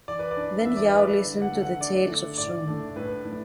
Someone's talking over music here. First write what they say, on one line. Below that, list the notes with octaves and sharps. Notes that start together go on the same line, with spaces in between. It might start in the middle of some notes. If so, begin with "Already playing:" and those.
Then Yao listened to the tales of Shun.
E3 D5
B4
D5
D4
E3 E5
D5
B4
D4
D5
D3
F#5
A3 E4
F#5
D3 D5
A3 E4
A2 D5
A3 D4
A2 B4
A3 D4